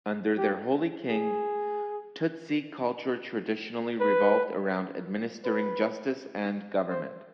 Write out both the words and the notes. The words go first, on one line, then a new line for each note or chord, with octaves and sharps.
Under their holy king, Tutsi culture traditionally revolved around administering justice and government.
G4
G#4
B4
B4
C5